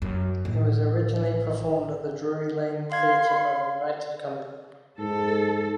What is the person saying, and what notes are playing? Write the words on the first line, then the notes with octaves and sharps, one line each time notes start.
It was originally performed at the Drury Lane Theatre by the United Company.
F#2
A1
F5 C6 G#6
G#2 A4